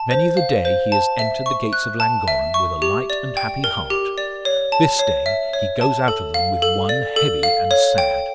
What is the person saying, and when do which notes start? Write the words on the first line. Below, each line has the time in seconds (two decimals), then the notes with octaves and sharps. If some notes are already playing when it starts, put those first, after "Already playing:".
Many the day he has entered the gates of Llangorren with a light and happy heart--this day he goes out of them with one heavy and sad.
Already playing: A5
0.11 C5
0.37 F5
0.65 C5
0.92 A5
1.19 E5
1.46 C#6
1.73 F#6
2.00 A5
2.28 E5
2.54 C#6
2.82 G4
3.10 D5
3.37 G5
3.64 A#4
3.90 G4
4.18 D5
4.45 C#5
4.72 A5
4.99 C#5
5.26 E5
5.53 C#5
5.81 A5
6.08 A4
6.34 F5
6.62 A4
6.89 D5
7.16 A4
7.43 F5
7.71 C#5
7.98 G5